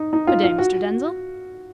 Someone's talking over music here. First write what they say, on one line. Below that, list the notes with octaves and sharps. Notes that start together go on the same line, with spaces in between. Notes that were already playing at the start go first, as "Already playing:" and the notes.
Good-day, Mr. Denzil.
Already playing: D#4
D#4
F4
F4
F#4